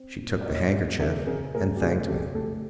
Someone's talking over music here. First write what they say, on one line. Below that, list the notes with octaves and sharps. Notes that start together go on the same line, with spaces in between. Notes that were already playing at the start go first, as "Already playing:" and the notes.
She took the handkerchief and thanked me....
Already playing: C4
A#2
D5
A#2 C#5 D#5
A#2
C#3 D5 E5
C#3 G#4 A#4
A3 G#4 A#4
G4
C#3 F#4 G#4
C#3 G4 A4
A3 G4 A4